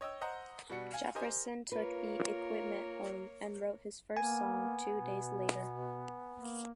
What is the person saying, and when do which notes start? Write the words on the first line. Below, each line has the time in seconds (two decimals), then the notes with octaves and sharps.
Jefferson took the equipment home and wrote his first song two days later.
0.01 C#5 D#5 G5 E6
0.21 C5 D#5 F#5 A#5
0.70 B2 G3 F#4 C#7
0.92 F5 G#5
1.15 G4 A#4 C5 D#5 G#5
1.72 A#3 F4 A#4 B4 C#5
4.17 A#3 B3 G#5
4.95 B2
6.34 A#3